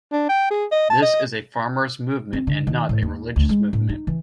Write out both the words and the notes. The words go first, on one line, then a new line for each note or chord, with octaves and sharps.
This is a farmers' movement and not a religious movement.
D4
G5
G#4
D#5
A5
D#5
C4
D3
D#3
A2
D#2
D2
G#3
A2
D#4
E3